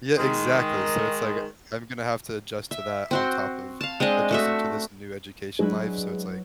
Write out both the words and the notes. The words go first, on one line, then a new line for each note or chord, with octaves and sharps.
Yeah, exactly. So, it's like, uh, I'm gonna have to adjust to that on top of adjusting to this new education life. So, it's, like,
D#3 G#3
E5
C4 F#4 C6
F5 A5
G#3 C4 D4 D#5
A3 F#4 E5
F#3 G#3 D4 E4 B4